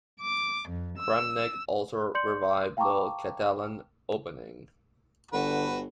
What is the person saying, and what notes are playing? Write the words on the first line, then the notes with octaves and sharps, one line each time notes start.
Kramnik also revived the Catalan Opening.
D6
F2
E6
D5 C6 G6 C#7 F#7
F5 G5 A5 A#5 C#6 D6
G1 D3 F#4 B4